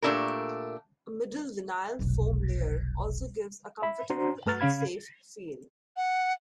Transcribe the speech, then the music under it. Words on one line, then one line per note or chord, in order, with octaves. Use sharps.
A middle vinyl foam layer also gives a comfortable and safe feel.
A#2 A3 D4 E4 G4 A#4
F1 B1
E5 B5
D4 F#4 C5 A#5 C6
G2 A3 B4 F6 A6
C#3 C#4 F5 B5 G#6
F#5